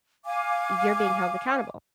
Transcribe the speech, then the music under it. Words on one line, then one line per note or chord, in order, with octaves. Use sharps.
"You're being held accountable."
F5 G#5 D6